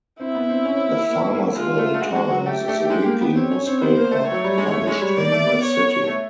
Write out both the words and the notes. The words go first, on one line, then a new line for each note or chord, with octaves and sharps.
The "Farmersville Times" is a weekly newspaper published in the city.
C4 E4
B3
C4
C#4
C4
A#3
A#3
A#3
G#3 F4
A3
A3
G#3 F#4
G#3
F#3
A3 G4
A3
G#3
A#3
B3
C4 C#5
C#4
C4
B3 C5
A#3
A3
F#3 C#5
G3
G#3
A3
G#3
G3
D#3 D5
A3
B3
C#5
A3